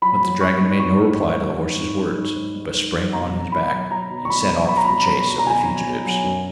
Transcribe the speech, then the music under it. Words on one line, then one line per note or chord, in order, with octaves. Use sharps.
But the dragon made no reply to the horse's words, but sprang on his back and set off in chase of the fugitives.
F#3 B5
F#3
F#3 C#6
G#2
F#3 C#6
G#2
G#2
F#3
G#2
G#2
F#3
G#2
G#2
G#2
G#2
F#3
B2 A#5
F#3
F#3 B5
F#3
F#3 A#5
B2
C#6
B2 B5
F#3
F#3 B5
A#5
B2 B5
F#3 B5
B2
A#5
B2 G#5
F#3
B2
F#3
F#2